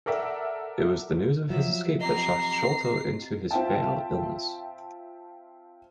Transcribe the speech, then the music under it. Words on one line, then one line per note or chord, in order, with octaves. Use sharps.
It was the news of his escape that shocked Sholto into his fatal illness.
A4 A#4 D5 E5 F#5
F3 F#3 E5
C4 G4 D#5 A#5 C7
C4 F4 E5 G5 A5